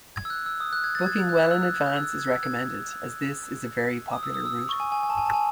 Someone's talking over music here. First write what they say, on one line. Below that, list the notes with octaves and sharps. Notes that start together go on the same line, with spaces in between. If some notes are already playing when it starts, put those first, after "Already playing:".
Booking well in advance is recommended, as this is a very popular route.
G#6
E6
F#6
E6
D#6
F#6
G#6
A6
G#6
F#6
F#6
F#6
E6
F#6
G#6
F#6
E6
G#6
E6
G#6
D#6
E6
D#6
E6
C#6
G#5
G#5
G#5
A5
G#5
A5
G#5